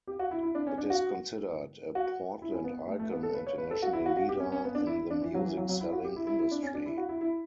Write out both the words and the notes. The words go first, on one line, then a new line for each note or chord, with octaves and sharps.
It is considered a Portland icon and a "national leader in the music-selling industry".
G4
F#4
E4
E4
D4
C#4
D4
F#4
F#4
E4
C#4
B3
A3
A3
B3
A4
B4
C#5
B4
A4
F#4
E4
F#4
F#4
G4
C#4
C#4
B3
D4
E4
D4
E3
F#3
E3
F#3
F#3
E4
F#4
G4
E4
E4
E4
D4
C#4
D4
E4
F#4
E4
E4